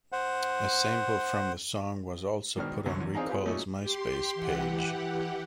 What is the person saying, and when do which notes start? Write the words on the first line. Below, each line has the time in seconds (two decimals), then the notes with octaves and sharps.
A sample from the song was also put on Recoil's MySpace page.
0.12 C5 F#5
2.57 G#2 B2 D#3 D4 F6
2.86 C2 F#2 D3 C#4
3.01 E2
3.15 C4 D4 D#4 G#4 F5 A#5
3.28 B3 F4 G4 G#4
3.46 A#2 F#3 A3 C#4 D#4
3.81 G4 C6
4.34 E3 G4 F#5